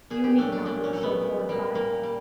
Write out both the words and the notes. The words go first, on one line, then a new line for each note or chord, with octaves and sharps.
You need not look so horrified.
A#2 G#4
G4
F#3 A3 D4
D4
A#2 D4
C#4
F#3 A3
B3
A#2
G3 A#3
A#2 A#3
G3